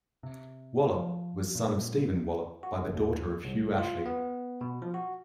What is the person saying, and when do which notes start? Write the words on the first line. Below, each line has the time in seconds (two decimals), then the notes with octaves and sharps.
Wallop, was son of Stephen Wallop by the daughter of Hugh Ashley.
0.23 C3
0.94 F3
1.55 A#2
2.63 F#4
2.81 G1
2.94 D#2
3.44 C2
3.78 F4
4.06 B3
4.61 B2
4.82 F3
4.94 F#4